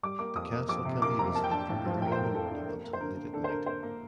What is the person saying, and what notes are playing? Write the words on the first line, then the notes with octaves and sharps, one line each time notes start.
The castle can be visited from early in the morning until late at night.
G3 D6
A#3 D6
F2 D#6
A#3
F2 D6
C3
A#3 D6
F2 A#5
A#3 A5
G5
D4 A5
A2
F3
F3 G5
A#4
C5
A2
A#4
F3 A4
D4
A#3
A#3
C5
D3 A#4
A#3
D4 A4
C5
D3 A#4
A#3 C5
A#3